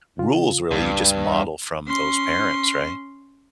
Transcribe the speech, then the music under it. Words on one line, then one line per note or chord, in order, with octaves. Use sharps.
rules, really, you just model from those parents, right?
C#3 F4
C#2 G2
C#4 C6